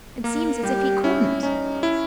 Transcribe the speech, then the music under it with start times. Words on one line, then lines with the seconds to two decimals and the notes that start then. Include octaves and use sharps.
"It seems as if he couldn't."
0.24 A#3 A#4
0.63 G3 G4
1.03 C#4 E4
1.43 C#4 D#4
1.83 E4